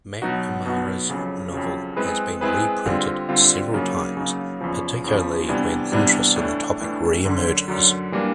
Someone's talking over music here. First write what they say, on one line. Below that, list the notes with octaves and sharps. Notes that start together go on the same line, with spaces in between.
MacNamara's novel has been reprinted several times, particularly when interest in the topic re-emerges.
B2 F#3 B3 D#4 F#4
B2 F#3 B3 D#4 F#4
F2 C#3 F#3
F2 C#3 F#3
G#3 C4 E4 G#4 B4
G#3 C4 E4 G#4 B4
D3 G3 C4 F4
D3 G3 C4 F4
C#3 F#3 A#3 D#4
C#3 F#3 A#3 D#4
E2 C#3 F3
E2 C#3 F3
C3 E3 G3 B3 D4
C3 E3 G3 B3 D4
A2 E3 A3 D4
A2 E3 A3 D4
F#2 D3 F#3
F#2 D3 F#3
E3 G3 A#3 D4